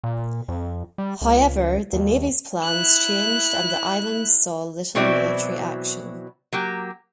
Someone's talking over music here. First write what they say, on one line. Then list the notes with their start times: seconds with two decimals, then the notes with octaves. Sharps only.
However, the Navy's plans changed and the island saw little military action.
0.04 A#2
0.48 F2
0.98 G3
1.21 C#2
1.93 D#2
2.63 E4 F#6
4.95 B2 E3 F#3 C4 E4 D5
6.53 F#3 A#3 G4